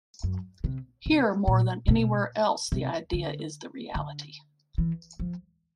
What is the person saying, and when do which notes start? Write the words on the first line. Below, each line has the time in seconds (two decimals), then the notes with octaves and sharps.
Here more than anywhere else the idea is the reality.
0.24 F#2
0.64 C3
1.06 C3
1.47 A#2
1.88 B2
2.72 C3
3.13 D3
3.95 D3
4.78 E3
5.20 F3